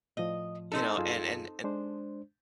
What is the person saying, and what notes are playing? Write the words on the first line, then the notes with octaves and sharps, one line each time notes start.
you know, and and
A2 F3 D#5
C4 D#4 A4
F#2 F4 G#4
G#3 D4 C5